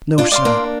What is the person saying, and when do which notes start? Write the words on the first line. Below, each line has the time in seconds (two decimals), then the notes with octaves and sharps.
"No sir."
0.18 D4 F4
0.32 D5 F5 C6
0.45 A#3 D4